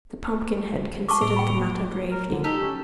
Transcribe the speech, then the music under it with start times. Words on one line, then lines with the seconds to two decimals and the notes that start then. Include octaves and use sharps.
The Pumpkinhead considered the matter gravely.
1.09 A5 C#6 D6
1.22 A2 G3 A#3
1.36 G5 B5
2.11 A#4
2.31 D3
2.44 D#4 G4 A4
2.62 C#4